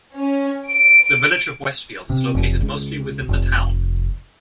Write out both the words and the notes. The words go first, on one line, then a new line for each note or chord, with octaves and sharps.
The Village of Westfield is located mostly within the town.
C#4
D7
C3
F1
C#2
F1